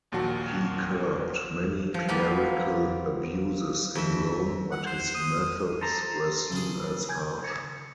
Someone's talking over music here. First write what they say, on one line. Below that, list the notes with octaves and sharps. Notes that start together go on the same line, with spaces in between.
He curbed many clerical abuses in Rome but his methods were seen as harsh.
A#1 D#2 A#2 F#3 F#4 A5
F3
F3 G3 A#3 B3
F2 E5
F#5
C5
D#6
A4 C5 A#5
C#3 G#4
G#5 G6 G#6
C#7